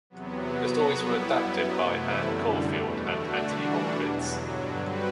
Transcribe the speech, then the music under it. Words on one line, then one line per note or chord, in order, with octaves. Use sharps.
The stories were adapted by Anne Caulfield and Anthony Horowitz.
E2 C3 F#3 B3
F#3 B3 F#4
G3 B3 E4
F#2 F#3 B3
C3 E3 A3 E4
F#2 D3 G3
E2 B2 A3
D3 A3 D4 F#4
E3 G3 D4 F#4
E2 B2 F#3
G2 D3 F#3
G3 C4 F#4 B4